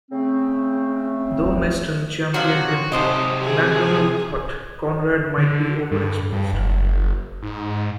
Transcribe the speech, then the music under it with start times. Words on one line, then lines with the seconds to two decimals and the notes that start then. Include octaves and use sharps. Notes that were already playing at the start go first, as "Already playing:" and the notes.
Though Meston championed him, Macdonnell thought Conrad might be overexposed.
0.11 C#3 A3 C4
2.34 C3 F3 F#3 F#4
2.92 G#2 C3 F3 F#3 C5 D#5
3.44 G#4
5.38 D3
5.91 G2
6.33 G2
6.53 F#1
7.43 G#2